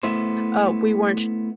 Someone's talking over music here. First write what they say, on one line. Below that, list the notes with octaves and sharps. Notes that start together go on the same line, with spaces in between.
uh, we weren't
A3 B3 E4 C5